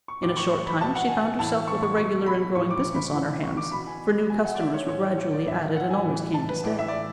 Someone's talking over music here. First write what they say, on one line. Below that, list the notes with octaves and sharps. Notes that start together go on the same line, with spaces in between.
In a short time she found herself with a regular and growing business on her hands, for new customers were gradually added and always came to stay.
C#6
A2 E3 D6
C#6
C#6
B5
B2 A5
F#5
G#5
A2 E3 A5
C#6
C#6
B2 C#6
B5
A2 E3 C#6
D6
B5
A2 E3
C#6
D6
B2 B5
G#5
B2 G#5
F#5
D5
E5
C#5
A2 E3 C#5
C#5
D5
A2 E3 E5
F#5
G#5
A2 E3
A5
B4
A2 E3 D5
E5
D5